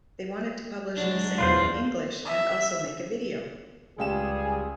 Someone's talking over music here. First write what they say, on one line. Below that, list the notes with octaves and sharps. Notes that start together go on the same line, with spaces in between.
They wanted to publish a single in English and also make a video.
F#3 G#3 D4
E2 F4 B4 C5
E5
C#2 G3 G4 G#4 E7